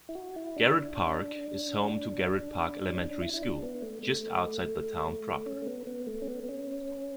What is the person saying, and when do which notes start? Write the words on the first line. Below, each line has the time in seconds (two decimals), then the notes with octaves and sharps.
Garrett Park is home to Garrett Park Elementary School, just outside the town proper.
0.09 E4
0.15 F#4
0.36 E4
0.56 D4
2.95 C#4
3.01 D4
3.21 E4
3.34 E4
3.42 D4
3.62 B3
3.82 A3
4.03 A3
5.46 C#4
5.62 A3
5.66 B3
5.87 B3
6.07 A3
6.22 C#4
6.28 B3
6.44 B3
6.49 C#4